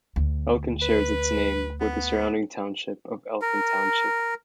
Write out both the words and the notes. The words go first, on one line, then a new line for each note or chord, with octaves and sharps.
Elkin shares its name with the surrounding township of Elkin Township.
D2
B4
B3
A#4